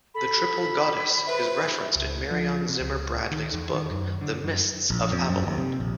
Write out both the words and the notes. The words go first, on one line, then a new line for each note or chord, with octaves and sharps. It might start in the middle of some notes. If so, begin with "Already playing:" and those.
The triple goddess is referenced in Marion Zimmer Bradley's book The Mists of Avalon.
A4 B5
B4 C5 E5
C#2
F3
C3
C#2
D#3
E2
D#3
F#2
D3
F#2
A#1
F2
F#2
D#2
C3
A#1